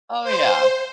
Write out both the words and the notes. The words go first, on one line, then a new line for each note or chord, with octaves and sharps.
Oh, yeah.
C5